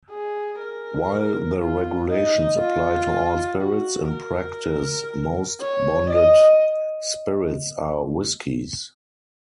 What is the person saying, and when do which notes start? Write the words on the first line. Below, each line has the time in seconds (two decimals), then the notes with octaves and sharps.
While the regulations apply to all spirits, in practice, most bonded spirits are whiskeys.
0.10 G#4
0.60 A#4
1.60 F4
2.10 D#4
2.61 F4
3.61 F#4
4.10 A#4
5.61 C#5
6.11 D#5